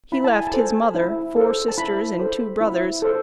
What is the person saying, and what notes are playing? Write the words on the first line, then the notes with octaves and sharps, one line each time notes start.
He left his mother, four sisters and two brothers.
E4 B5
A5
G#5
A5
A4 C5
E4
A4 C5
A5
E4 B5
A4 C5
E4
A4 C5